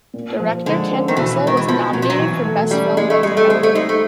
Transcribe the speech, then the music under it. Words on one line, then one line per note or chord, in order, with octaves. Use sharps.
Director Ken Russell was nominated for Best Film but did not win.
A#2
F3
D3 G#3
C4
D#3
B2 E3
D#3 G#3
E3
F3 B3
B2 F#3
F3
F#3
E3
A3
G3 C#4
G#3 E4
A3
G3 G#3
A3
G#3 C4
A3
G#3 D#4
A3